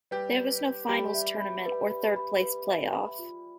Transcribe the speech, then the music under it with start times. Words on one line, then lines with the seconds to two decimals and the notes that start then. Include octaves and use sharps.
There was no finals tournament or third-place playoff.
0.11 G3 G4 B4
0.38 B4
0.63 B4
0.88 G3 G4 B5
1.14 E5
1.40 B5
1.66 B4
1.90 B5
2.16 B5
2.42 B4
2.68 E5
2.93 B5
3.19 F4